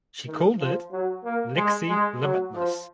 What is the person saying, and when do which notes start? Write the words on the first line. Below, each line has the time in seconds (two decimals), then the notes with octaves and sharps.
She called it "Lexie Limitless".
0.26 D#3
0.59 F3
0.92 F#3
1.24 A#3
1.56 G#3
1.89 G#3
2.22 F#3
2.54 F3